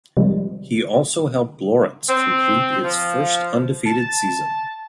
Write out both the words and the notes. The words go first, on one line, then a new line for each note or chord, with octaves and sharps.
He also helped Lawrence complete its first undefeated season.
C3 D#3 F3 G3 G#3
C4
F3
A5